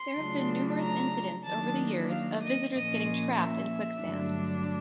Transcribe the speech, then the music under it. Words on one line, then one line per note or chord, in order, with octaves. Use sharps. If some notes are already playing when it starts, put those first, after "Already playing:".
There have been numerous incidents over the years of visitors getting trapped in quicksand.
Already playing: C6
C#3 F#3 A3 D4 F4
A#5
D#3 F#3 A#3 D4 A5
F5
D#5
A#2 F3 A#3 C#4 D#5
E5
G2 D3 F#3 A3 D4